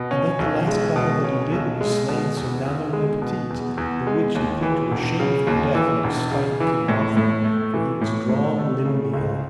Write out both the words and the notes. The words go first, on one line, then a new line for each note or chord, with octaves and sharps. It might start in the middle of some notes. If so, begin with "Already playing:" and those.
And at the last battle that he did was slain Sir Nanowne le Petite, the which he put to a shameful death in despite of King Arthur, for he was drawn limb-meal.
Already playing: B2
C#4
B1
G#3
B2
C#4
B1
G#3
B2
E2
E2
G#3
B2
E2
E2
G#3
D#2
E3
E1
C#3
D#2
E3
E1
C#3
E3
A2
A2
A3
E3
A2
A2
A3
C#3
C#2